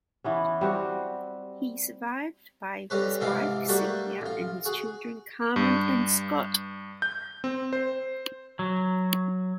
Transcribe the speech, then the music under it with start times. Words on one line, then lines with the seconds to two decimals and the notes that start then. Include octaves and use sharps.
He was survived by his wife, Sylvia, and his children Carmen and Scott.
0.24 E3 B3 C#4
0.61 G3 C4 F#4
2.90 F2 G3 C#4 B4
3.20 G#2 C3 E3 E4 F4 D6
3.68 G3 A3 A#3 F#4 F#5 G5
4.21 A1 F4
4.65 F#4 G#4
5.56 G2
7.02 G6
7.44 C4
7.73 C5
8.59 F#3